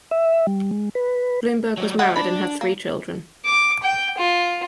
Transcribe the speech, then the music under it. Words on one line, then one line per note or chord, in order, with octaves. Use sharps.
Blomberg was married and had three children.
E5
G3
G#3
B4
F#3 G3
A3 F#4 D#5 F#5 G5
D4 B5
A#3
D6
G5
F4